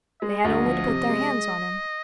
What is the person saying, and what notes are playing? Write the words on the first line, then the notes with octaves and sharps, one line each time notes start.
They had only to put their hands on him.
G#3 D#5
D2
F3
C3
G#3